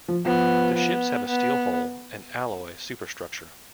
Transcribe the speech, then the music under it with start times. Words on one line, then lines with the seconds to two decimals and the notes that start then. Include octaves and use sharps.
The ships have a steel hull and alloy superstructure.
0.08 F3
0.25 F3 B3
0.77 B3
1.29 B3